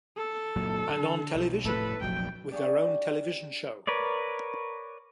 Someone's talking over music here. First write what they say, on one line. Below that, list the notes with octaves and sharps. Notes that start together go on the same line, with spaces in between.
And on television, with their own television show.
A4
F#1 A#2 F#3
D3
B1
F1 A2 A3 A4 B4
F1 A#1 F#3 G5
D4 G4 G#4 D5 F5 C#6
A#4 B4 C#5 D5